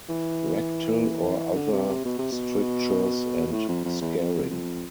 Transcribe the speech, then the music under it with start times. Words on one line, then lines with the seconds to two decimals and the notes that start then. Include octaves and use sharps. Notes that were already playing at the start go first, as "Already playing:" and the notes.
Rectal or other strictures and scarring.
0.09 E3
1.56 D3
1.72 C3
1.89 C3
2.05 B2
2.18 C3
2.32 B2
3.52 A2
3.69 F2
3.85 F2
4.01 E2
4.18 F2
4.50 F2